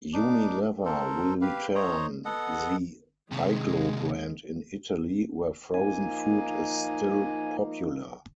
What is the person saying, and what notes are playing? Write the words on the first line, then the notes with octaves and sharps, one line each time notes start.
Unilever will retain the Iglo brand in Italy, where frozen food is still popular.
D4 D#4 D6
A4 A#4 C5
G4 B4 F5
C5 C#5 D#5 A#5
B3 A4 D#5 F#5
C3 D#3 G#3
F3 A#3 D#4 G#5